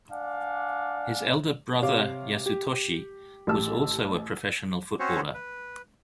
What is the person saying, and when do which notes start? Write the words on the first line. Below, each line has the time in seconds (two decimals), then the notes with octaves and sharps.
His elder brother Yasutoshi was also a professional footballer.
0.11 D4 D5 F5 F#5 G#5
1.82 C3 C#5 F5 D6
2.46 G4
3.47 A1 G4 A5 E6
5.00 C4 C#4 F#4 C5 C#5
5.34 B4